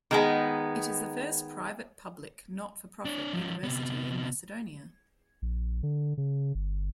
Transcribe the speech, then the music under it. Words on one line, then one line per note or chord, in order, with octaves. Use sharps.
It is the first private-public not for profit university in Macedonia.
D#3 G#3 B3
D4 C#5
F3 C#4
C3 B3
A#1
D3
C#3
G1